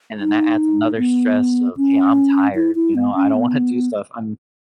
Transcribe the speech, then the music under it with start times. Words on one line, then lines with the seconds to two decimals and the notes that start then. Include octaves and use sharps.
And then, that adds another stress of, "Hey, I'm tired," you know? "I don't wanna do stuff, I'm"
0.20 D#4
0.97 B3
1.77 C#4
2.55 E4
2.75 E4
2.95 B3
3.15 C#4
3.34 B3